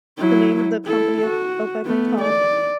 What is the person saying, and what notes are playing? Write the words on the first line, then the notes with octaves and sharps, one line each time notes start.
the name of the company up up at the top
F#3 E4
E4 A4
F#4
A3 B3
D5